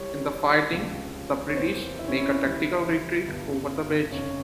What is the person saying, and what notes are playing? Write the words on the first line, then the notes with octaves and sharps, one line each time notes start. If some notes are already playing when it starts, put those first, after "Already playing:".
In the fighting, the British make a tactical retreat over the bridge.
Already playing: C2 C3 G3 C#5
C#2 C3 F3 G#3
C#5
E2 C3 E3 A#3 C5
E4
C#4
E4
C#2 C#3 G3 A#3 E4
G1 G2 G3
F1 F2 C#3 C#4